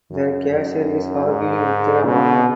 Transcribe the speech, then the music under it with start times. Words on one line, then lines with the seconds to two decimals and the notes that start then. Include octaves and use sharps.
The cashier is arguing with the owner.
0.11 F#2
0.49 F#2
1.27 G#2
2.05 B2